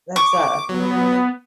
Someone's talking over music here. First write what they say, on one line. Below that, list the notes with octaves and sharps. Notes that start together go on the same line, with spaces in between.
that's a
C#6 D6
F#3 B3